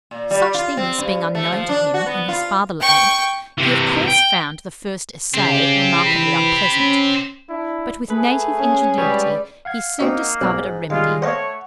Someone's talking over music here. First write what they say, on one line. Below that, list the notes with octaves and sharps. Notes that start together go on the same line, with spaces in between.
Such things being unknown to him in his fatherland, he of course found the first essay remarkably unpleasant, but with native ingenuity he soon discovered a remedy.
A#2
G3
F4
C4
G2
A3
F3
D4
F#4
B3
F4
G5 C#6
C3 E3
G5
C#3 C4 G4
E3 B5
C#4
D4 E4
A3 G#4 B4
C#4
G3 G#3 B4 C#5 D5
F5 F#5 G#6
A#3 C4 D#4 F#4 E5
B1 G#2 F#6
D#3 G3 G#3 F4 F5
A3 C5 C#5 D#5 F5 F#5 C#6